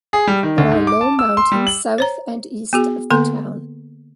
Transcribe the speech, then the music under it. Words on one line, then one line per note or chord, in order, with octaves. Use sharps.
There are low mountains south and east of the town.
G#4
G3
D#3
D2
G#2
D6
A5
E6
C6
G3
F#7
C5 C#5 A#5
B3 F#4 G#4
D3 A#3 B3 A4 C6